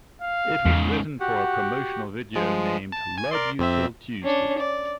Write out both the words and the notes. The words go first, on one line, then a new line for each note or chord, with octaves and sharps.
It was written for a promotional video named "Love You till Tuesday".
F5
E2 G#2 C#3
F#4 G4 F#5
F3 G#3
A5
G#5 G#6
A#4 D5 C6
F2 C4 E5
C#4 D4
D5